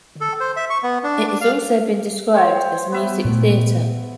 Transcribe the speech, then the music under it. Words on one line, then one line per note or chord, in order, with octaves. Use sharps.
It has also been described as music theater.
A4
C5
E5
C#6
B3
D4
D4
F5
C5 C#5 G5
B3 E5
A#2 A3